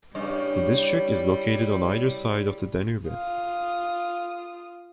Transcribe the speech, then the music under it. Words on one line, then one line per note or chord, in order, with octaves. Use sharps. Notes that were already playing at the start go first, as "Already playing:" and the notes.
The district is located on either side of the Danube.
G2 C#3 G3 E4
F4 D#6